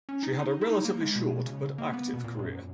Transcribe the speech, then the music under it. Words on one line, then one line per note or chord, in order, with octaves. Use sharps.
She had a relatively short, but active, career.
C#4
D#4
D#4
E4
D#4
A#3
G#3
B2
C#3
A#3
B3
B2
A#2
F#2